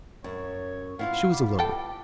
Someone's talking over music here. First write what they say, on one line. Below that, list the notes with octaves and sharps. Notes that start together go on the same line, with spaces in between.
She was alone.
F#2 C#5
B3 E4 F4 F5
G3
A4 G5